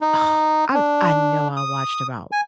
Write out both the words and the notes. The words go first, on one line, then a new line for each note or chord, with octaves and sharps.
Oh, I I know I watched about
D#4
D4
D#6
G#5